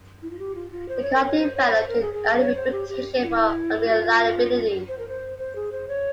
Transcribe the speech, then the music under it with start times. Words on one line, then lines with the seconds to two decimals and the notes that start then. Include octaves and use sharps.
The car developed an early reputation for unreliability.
0.22 E4
0.31 F4
0.39 G4
0.55 F4
0.71 F4
0.89 C5
1.02 C#5
1.14 A#4
1.26 C#5
1.39 C5
1.56 C#5
1.72 C5
1.89 A#4
2.01 G#4
2.14 G#4
2.39 C#5
2.56 C5
2.72 G4
2.89 G4
3.23 F4
3.28 E4
3.88 G4
3.92 F4
4.88 C5
4.99 A#4
5.09 C5
5.39 C5
5.56 G#4
5.72 C5
5.88 C#5